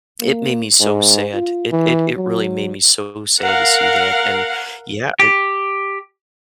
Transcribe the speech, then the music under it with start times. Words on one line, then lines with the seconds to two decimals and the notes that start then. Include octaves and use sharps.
It made me so sad. It it it really made me so sad to see that, and, yeah, I
0.21 A#3
0.80 G#2
1.34 F4
1.71 E3
2.16 F#3
3.41 A#4 F5 F#5
5.20 G4